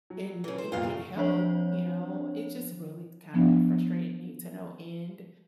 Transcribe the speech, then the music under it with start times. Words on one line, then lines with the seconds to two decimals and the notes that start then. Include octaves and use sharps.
and and get help, you know, it just really kinda frustrated me to no end,
0.10 F#3
0.44 C#3 E3
0.58 C5
0.72 F#1 C2 A#2 F4 F5
0.92 A3
1.16 F3 C4 D4 C5 C#5
3.34 F3 B3 D4